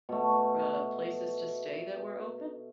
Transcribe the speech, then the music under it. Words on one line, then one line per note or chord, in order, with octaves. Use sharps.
uh, places to stay that were open?
B2 A3